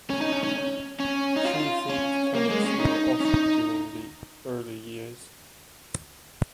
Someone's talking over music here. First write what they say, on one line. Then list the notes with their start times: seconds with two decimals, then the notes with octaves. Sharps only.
Free foot clinics were offered during the early years.
0.10 C#4
0.21 D#4
0.32 C#4
0.44 C#4
1.00 C#4
1.36 D#4
1.45 F4
1.89 C#4
2.35 A#3
2.50 G#3
2.66 C#4
2.80 D#4
3.20 C#4
3.25 D#4